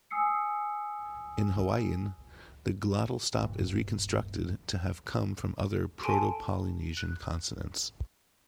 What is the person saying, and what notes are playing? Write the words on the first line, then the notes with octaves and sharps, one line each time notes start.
In Hawaiian, the glottal stop is reconstructed to have come from other Proto-Polynesian consonants.
G#5 D#6 E6 C7 C#7
D1 G2 A#2 E3
A4 G#5 A5 C6 D7 D#7
F#6